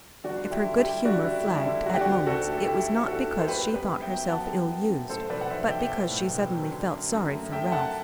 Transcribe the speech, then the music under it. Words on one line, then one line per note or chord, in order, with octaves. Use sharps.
If her good-humour flagged at moments it was not because she thought herself ill-used, but because she suddenly felt sorry for Ralph.
G1 D4 F#4
D3
E4 G4
D3
E4 G4
G3
G3 D4 F#4
D3 E4
G2 E4
D4
D3 E4
A3 F#4
G4
D4 F#4
D2
D2 F#4 A4
A3
A4
A3 E4 G4
D2
D3 F#4 A4
D2
C5
F#2 G4 B4
B3
G4 B4
B3
E5 G5
F#3
F#3 F#5 A5
F#2
F#2
F#2
A2 A4 C5
B1 B4 D5
F#5
B1 C5 E5
B1 E5 G5
B1
A2
B1
F#3
D3
F#2
F#2
A3
A3 E5 G5
F#2 F#5 A5